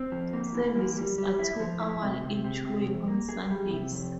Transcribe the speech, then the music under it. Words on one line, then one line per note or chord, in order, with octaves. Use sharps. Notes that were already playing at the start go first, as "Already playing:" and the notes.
Services are two-hourly each way on Sundays.
Already playing: C4
F3
A#3
E3
A#3
G3
G3
E4
F3
E4
C3
C3
C3
C3
F2
A#3
G#4
G3
C3
F2